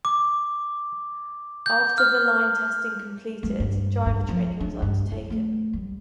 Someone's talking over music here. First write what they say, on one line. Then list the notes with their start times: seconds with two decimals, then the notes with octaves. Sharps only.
After the line testing completed, driver training was undertaken.
0.05 D6
1.66 G6
1.98 F6
3.43 G#3
3.60 G2
4.06 G2
4.29 F3
4.60 D4
4.82 G2
5.11 E4
5.30 A3
5.73 G3